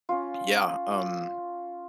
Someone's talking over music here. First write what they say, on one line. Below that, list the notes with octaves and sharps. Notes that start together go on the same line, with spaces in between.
Yeah. Um,
C#4 F4